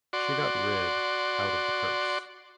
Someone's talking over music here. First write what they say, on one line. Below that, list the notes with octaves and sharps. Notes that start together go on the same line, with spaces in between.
She got rid out of the curse.
F#4 D5 C6